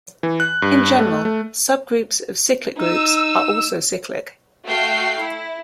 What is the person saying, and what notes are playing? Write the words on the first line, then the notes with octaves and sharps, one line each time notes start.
In general, subgroups of cyclic groups are also cyclic.
E3
F#6
G2
A3
A3
D#4 E6
A3 F#4 F5 G5 C7
E4